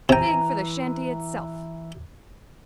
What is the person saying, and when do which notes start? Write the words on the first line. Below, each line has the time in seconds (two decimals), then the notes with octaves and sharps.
A fig for the shanty itself!
0.09 C3 E3 G5 G#5 A#5